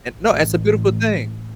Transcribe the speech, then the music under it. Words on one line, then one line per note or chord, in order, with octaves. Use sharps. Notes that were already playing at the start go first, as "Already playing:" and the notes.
Eh, no, it's a beautiful thing,
A1